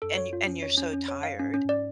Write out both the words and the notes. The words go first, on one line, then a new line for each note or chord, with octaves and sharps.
and and you're so tired,
F#2 A4
C#5
F4
C#4
F2 C#5
C#4
C#4
C#5
F#2 F5
G#2 C#4
C#4
G#2 D5